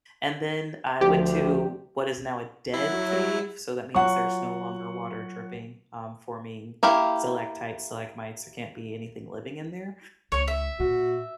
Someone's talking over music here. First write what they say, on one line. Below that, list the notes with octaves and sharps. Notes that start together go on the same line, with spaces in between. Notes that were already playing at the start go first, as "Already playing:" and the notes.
and then I went to what is now a dead cave, so that means there's no longer water dripping, um, forming stalactites, stalagmites, there can't be anything living in there,
D2 F3 G4
F#3 E4
F#3 F4 F#5 C#6
A#3 E4 G4 F5
C#2 C#5 C#6
E5
A#2 F#4